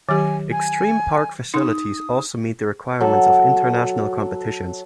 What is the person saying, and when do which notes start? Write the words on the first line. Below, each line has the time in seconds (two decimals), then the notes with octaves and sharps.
Extreme park facilities also meet the requirements of international competitions.
0.09 D#3 F#3 G4 G#5
0.51 G#5
1.54 D#4 C6 D#6
3.01 F#3 A4